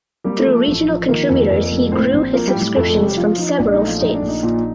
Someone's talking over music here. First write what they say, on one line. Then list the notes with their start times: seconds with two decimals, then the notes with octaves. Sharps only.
Through regional contributors he grew his subscriptions from several states.
0.24 G3 A#3 G4
0.39 A3 A4
0.45 F3
0.53 A3 A4
0.67 A1
0.88 F3
1.08 D#3 A#3 A#4
1.29 F2
1.50 F2
1.72 F1
1.92 A2 C4 C5
2.13 A#1
2.33 F3 A#3 A#4
2.47 G3 G4
2.54 A2
2.61 G3 G4
2.76 F2 A3 A4
2.89 A3 A4
2.96 F1
3.03 G3 G4
3.17 F3 F4
3.38 F3 D#4
3.58 A#1 D4
3.73 D#4
3.80 A3
3.87 F3 F4
4.00 A#1 D#4
4.15 D4
4.22 A#1
4.28 D#4
4.43 A#2